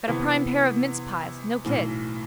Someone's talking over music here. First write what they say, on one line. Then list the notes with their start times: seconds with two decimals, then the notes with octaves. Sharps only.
Got a prime pair of mincepies, no kid.
0.07 C3 E3 B3
1.65 B1 A2 E3